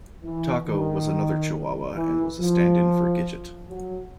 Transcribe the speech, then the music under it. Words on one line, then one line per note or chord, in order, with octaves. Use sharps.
Taco was another Chihuahua and was a stand-in for Gidget.
E3
D#3
E3
F3
F#3